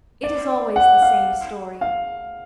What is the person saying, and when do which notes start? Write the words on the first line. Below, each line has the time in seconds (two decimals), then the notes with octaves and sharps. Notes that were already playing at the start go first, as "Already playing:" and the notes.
It is always the same story.
0.23 D5
0.76 F#5
1.02 F5
1.81 F5